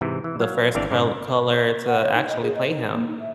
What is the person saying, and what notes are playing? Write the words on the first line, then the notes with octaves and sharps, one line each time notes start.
the first col color to actually play him.
G#2 C3 E3
E3
F#3 F5
G#1 E3 C4 D4 D5 F5
G#2 C#3 D5
F#5
C#5
D#4
D#5
G#4
D#5
D#4
A#3
D#4
E5